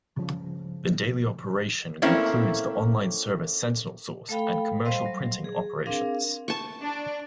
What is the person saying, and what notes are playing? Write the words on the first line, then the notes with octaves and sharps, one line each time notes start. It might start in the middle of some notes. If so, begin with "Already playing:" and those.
The daily operation includes the online service SentinelSource and commercial printing operations.
C#2 G2 C#3 F3
A3 A#3 C4 C#4 E4
A3 A4 F5 G5 B5
G3 C5 D#5 F5 C6
F#3
G#4
C4 D4 G#4 A#4 F5
A5 C#6
D4